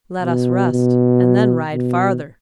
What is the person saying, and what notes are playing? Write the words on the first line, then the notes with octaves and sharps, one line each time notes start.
Let us rest, and then ride farther.
B2
B2
B2